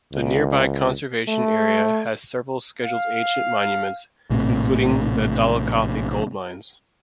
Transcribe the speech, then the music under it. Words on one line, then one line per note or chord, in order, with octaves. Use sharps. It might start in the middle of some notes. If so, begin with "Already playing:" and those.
The nearby conservation area has several scheduled ancient monuments including the Dolaucothi Gold Mines.
C#2
A3
F5
A#1 A2 C3